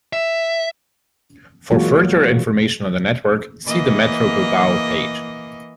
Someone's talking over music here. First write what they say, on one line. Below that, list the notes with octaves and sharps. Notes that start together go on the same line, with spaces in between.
For further information on the network, see the Metro Bilbao page.
E5
E3 F#3 G#3 A#3 F4 F#4
E3 A#3 D#5